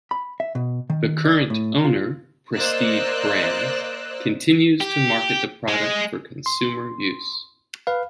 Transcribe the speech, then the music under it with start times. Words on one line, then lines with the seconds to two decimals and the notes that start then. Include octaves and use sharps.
The current owner, Prestige Brands, continues to market the product for consumer use.
0.11 B5
0.40 E5
0.55 B2
0.90 D#3
1.24 D5
1.50 A2
1.84 F4
2.56 A#3 C5 D5 D#5 E6 F#6
4.81 G4
5.68 G#3
6.46 C6
7.87 B4 F5